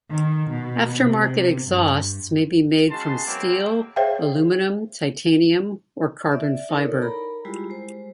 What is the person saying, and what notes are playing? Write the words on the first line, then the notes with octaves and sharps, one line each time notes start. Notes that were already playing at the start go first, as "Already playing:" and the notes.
Aftermarket exhausts may be made from steel, aluminium, titanium, or carbon fiber.
D#3
B2
C3
G2
C#3 G#3 F#4 A5 C6
B2 F#3 G#3 A#3 C4 E4
G#4 C5 C#5 E5 F5 G5
D5 E5
D#4 E4 A4 A#4 C#5 D5
A#4 A#5 B5
G3 G#3 E4 F4 G4 G#4
G#3 C5